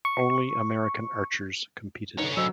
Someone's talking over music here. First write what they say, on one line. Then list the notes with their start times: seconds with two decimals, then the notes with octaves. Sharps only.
Only American archers competed.
0.05 C#6
2.18 D3 F#3 C#4 D#4 B4
2.37 F#3 C5 D#5 B5 E6